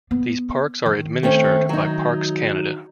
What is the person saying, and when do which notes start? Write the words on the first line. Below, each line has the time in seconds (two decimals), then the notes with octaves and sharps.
These parks are administered by Parks Canada.
0.11 B3
0.86 D#3
1.23 A3 C4 C#4
1.69 F#3 D#4